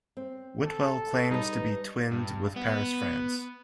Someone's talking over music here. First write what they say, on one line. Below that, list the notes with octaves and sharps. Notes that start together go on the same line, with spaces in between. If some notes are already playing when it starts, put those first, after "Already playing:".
Whitwell claims to be twinned with Paris, France.
C4
A4
G3 D#4 B4
G2
B3